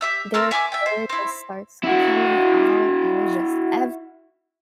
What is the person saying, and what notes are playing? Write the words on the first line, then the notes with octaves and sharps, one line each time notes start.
their fur just starts coming out and it's just everywhere
G4 E5 E6
C4 F4 A#4 E6
E5 G#5 C#6 D6
E5 G5
C5
C4 E4
E4 F#4